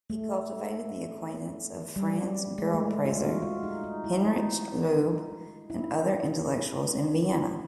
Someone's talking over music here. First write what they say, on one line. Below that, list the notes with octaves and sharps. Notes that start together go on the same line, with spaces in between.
He cultivated the acquaintance of Franz Grillparzer, Heinrich Laube, and other intellectuals in Vienna.
A3
G3
G#3
A3
F4
F#4
F4
D#4
D#4
E4
D#4
E4